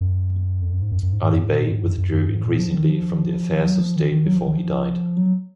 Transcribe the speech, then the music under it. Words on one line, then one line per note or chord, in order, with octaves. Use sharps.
Ali Bey withdrew increasingly from the affairs of state before he died.
F#2
F2
F#2
G#2
F#2
F#2
G#2
G#2
F#2
G#2
A#2
G#2
F#2
F#2
F#2
G#2
A#2
F3
D#3
F3
F#3
F3
D#3
D#3
F#3
F3
D#3
F3
F#3